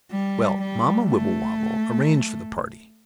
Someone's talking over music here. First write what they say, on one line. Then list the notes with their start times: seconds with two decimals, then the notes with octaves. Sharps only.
Well, Mamma Wibblewobble arranged for the party.
0.11 G3
0.58 G3
1.04 A3